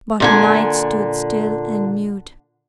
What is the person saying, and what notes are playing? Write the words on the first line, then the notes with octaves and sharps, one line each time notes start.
But Night stood still and mute.
A#2 D3 G#5